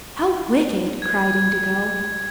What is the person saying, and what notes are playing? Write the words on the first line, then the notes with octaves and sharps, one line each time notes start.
"How wicked!" cried Indigo.
G#6